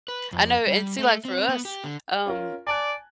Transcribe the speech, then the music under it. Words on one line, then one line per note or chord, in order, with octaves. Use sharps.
I know, and see, like, for us, um
B4
F2
G3
A3
C4
B3
G4
D3
C#4 F4 A#4
D5 G#5 A5 F#6